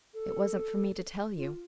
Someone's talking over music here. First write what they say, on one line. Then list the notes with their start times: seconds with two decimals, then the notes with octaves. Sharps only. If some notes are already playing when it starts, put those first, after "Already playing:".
"It wasn't for me to tell you."
0.14 A4
1.37 F4